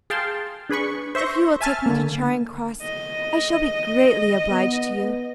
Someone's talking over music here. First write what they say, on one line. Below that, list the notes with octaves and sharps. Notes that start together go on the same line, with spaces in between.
If you will take me to Charing Cross, I shall be greatly obliged to you.
G#4 F5 G5 A5 C6
D4 G#4 B4 B5 C#6
C5 E5 C#6 G6 A#6
E5 G#5 A5 F6
D3 A#3
D#5
B3